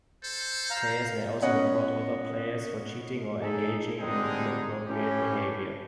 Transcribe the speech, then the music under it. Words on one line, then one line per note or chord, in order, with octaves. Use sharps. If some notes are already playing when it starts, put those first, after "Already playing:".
Players may also report other players for cheating or engaging in inappropriate behavior.
A4 C5
F5 A#5
B3 C#4 D#5 F#5
D#4 G#4 A4
D3 G3 G#3 C4 D#4 G#4
A2 C#4 G4